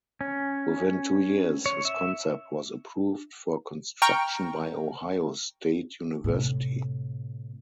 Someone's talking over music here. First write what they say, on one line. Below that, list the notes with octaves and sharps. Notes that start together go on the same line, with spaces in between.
Within two years, his concept was approved for construction by Ohio State University.
C#4
C#5
E5
G5 A#5 C#6 F6 D7
A2 C3